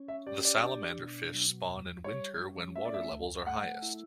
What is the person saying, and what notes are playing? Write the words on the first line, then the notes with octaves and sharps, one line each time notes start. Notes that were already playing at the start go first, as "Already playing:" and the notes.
The salamaderfish spawn in winter when water levels are highest.
Already playing: C#4
E5
G4 D5
D5
D4
B2
F#3
E2
G3 C#5
C#4
A3 E5
D5
E5
D2
A3 F#5
E4